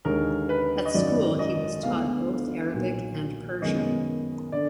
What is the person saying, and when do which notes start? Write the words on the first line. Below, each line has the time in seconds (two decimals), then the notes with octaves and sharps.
At school he was taught both Arabic and Persian.
0.05 D#2 D3 G#3 A#4
0.49 B4
0.86 D#5
0.94 G#1 F#2 D#3 F#3 D5
1.39 D#5
1.83 D2 D3 G#3 B3 F5
2.73 B1 A#2 F#3 A#3
3.62 F#2 D#3 G#3 B3 D#5
4.52 D3 D5